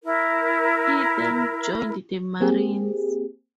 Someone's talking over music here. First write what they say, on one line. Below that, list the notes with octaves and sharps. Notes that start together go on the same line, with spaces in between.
He then joined the Marines.
E4 A#4
A#3 C4 G4 G#4